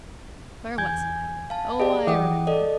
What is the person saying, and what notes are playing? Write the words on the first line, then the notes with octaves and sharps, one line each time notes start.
Where was I? Oh, I remember!
E2 G#5 G6 G#6
F5 A5
G4 G#4 D5 D#5
E3 F#5 G5 D6 D#6
A4 D5 D#5